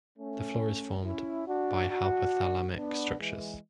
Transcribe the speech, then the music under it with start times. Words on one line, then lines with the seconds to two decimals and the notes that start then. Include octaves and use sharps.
The floor is formed by hypothalamic structures.
0.18 A3 C#4
1.03 C#4 E4
1.47 D4 F#4
1.89 D4 F#4
2.75 B3 D4
3.18 E3 G#3